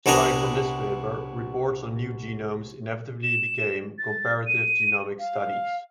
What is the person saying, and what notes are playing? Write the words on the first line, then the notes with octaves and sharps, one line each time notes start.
Starting from this paper, reports on new genomes inevitably became comparative-genomic studies.
C2 B3 D4 G#5 A#5 D#6
E7
A6
D#7
F5